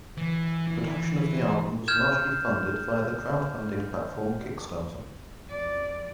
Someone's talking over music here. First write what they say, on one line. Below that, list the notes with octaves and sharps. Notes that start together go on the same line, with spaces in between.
Production of the album was largely funded via the crowdfunding platform Kickstarter.
E3
E3
F6 G6 G#6 E7
F2 D5